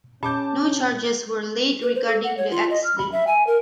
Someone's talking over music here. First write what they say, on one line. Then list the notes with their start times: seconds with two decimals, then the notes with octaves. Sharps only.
No charges were laid regarding the accident.
0.23 A#2 C#4 A5 D6 G6
1.81 B4
1.95 C5
2.07 A4
2.24 F#5
2.37 C#5
2.51 F4
2.70 D#5
2.84 F6
2.98 B5
3.12 E5
3.27 G#5
3.47 A#4